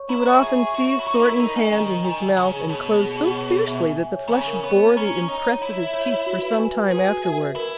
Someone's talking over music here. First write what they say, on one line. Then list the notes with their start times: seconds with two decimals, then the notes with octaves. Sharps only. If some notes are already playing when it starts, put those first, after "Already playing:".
He would often seize Thornton's hand in his mouth and close so fiercely that the flesh bore the impress of his teeth for some time afterward.
Already playing: C#5 C#6
0.09 E4 A#5
0.26 F#4 E5
0.43 G#4 E5
0.58 C#6
0.74 F#4 E5
0.91 C#5
1.00 E4
1.07 F#4 C#6
1.16 D#4
1.23 E4 A#4
1.39 D#4 A#4
1.56 C#4 D#5
1.72 D#3 D#5
1.88 D#5
2.04 D#3 G#5
2.21 G#5
2.37 C#3 C#5
2.53 G#4
2.69 B2 C#5
2.86 B5
3.01 G#4
3.18 G#4
3.34 C#5
3.50 G#4
3.67 E5
3.82 G#5
3.99 G#5
4.15 C#5
4.28 D#3
4.31 C#3 G#5
4.48 A#4
4.64 B3 C#5
4.80 C#5
4.96 C#4 A#5
5.12 A#5
5.28 D#4 C#5
5.45 C#5
5.61 E4 C#5
5.77 E5
5.93 C#5
6.10 C#5
6.26 F#4
6.42 B4
6.58 G#5
6.75 B4
6.91 G#4 B4
7.07 F#4
7.23 E5
7.40 B4
7.55 E4 A#4